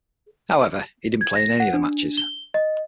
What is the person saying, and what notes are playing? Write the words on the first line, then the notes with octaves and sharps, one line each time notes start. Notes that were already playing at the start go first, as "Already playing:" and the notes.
However, he didn't play in any of the matches.
G#6
A#6
F#5
D4
G7
D#5